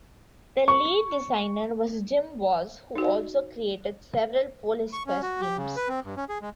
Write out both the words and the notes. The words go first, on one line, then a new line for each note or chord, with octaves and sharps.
The lead designer was Jim Walls, who also created several "Police Quest" games.
C#6
D#4 F#4
C#6
C#4
F#4
G4
C#3
B4
C4
G2
C#4
G#4
G#3